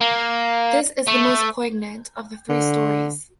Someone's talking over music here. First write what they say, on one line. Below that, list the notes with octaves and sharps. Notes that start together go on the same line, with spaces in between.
This is the most poignant of the three stories.
A#3
A3
D3